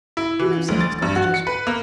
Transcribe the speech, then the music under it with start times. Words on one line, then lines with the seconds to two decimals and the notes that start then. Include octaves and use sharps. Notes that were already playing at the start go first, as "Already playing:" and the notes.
Who lives in these cottages?'
0.17 E4
0.39 E3
0.68 D2
0.81 A6
1.02 G2
1.16 F#4
1.34 C#7
1.47 B4
1.67 A#3